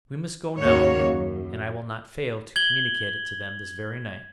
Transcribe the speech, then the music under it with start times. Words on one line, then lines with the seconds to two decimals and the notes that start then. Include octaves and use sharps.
"We must go now, and I will not fail to communicate it to them this very night."
0.59 D#2 G#2 C#3 A#3 F#4 C#5
1.04 F#2
2.56 G#6 F#7 G7